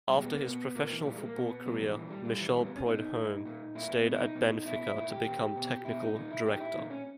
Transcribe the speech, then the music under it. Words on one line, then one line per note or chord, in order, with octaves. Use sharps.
After his professional football career, Michel Preud'homme stayed at Benfica to become technical director.
G3
B2 G#3
B3
A#3
B2 B3
B2 A#3
E3
A#2 G3
G#3
A#3
B2 B3
B2 G3
E3
A#2 E3
G3
A#2 G3
E3
A#2 G3
B3
C#4
B2 D#4
A#2
A#2
A#2 E4
B3
B2
E4
D#4
B2
B2 E4
E4
A#2 E4
G4
A#2
B2
G4
B2 E4
D#4
A#2 D#4
E4
A#2 G4
D#4
E4
A#2 D#4
C#4